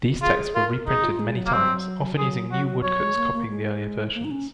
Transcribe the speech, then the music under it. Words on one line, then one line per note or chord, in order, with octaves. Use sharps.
These texts were reprinted many times, often using new woodcuts copying the earlier versions.
F4 G#4
F4 A#4
D#4 G#4
F4
G#3
F#3
A#3
F#3 C4
F#3 G#4
F#3 F#4
F#3 C#5
G#3
A#3
A#3
G#3
A#3
D#4
C#4